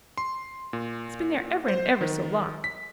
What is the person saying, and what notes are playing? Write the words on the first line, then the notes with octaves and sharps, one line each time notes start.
It's been there ever and ever so long!
C6
A#2
C5
D#3
B6